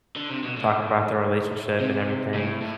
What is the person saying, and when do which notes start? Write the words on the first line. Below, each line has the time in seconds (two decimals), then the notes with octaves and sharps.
talking about their relationship and everything,
0.16 D3
0.30 C3
0.43 B2
0.57 A2
1.80 C3
2.34 A2
2.62 A2